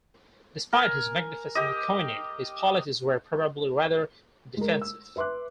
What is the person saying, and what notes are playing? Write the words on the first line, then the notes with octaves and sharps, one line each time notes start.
Despite his magnificent coinage, his policies were probably rather defensive.
A#4 G#5
G4 D#5
G#3 A#4
E6
B4 E5 C6 D6 F#6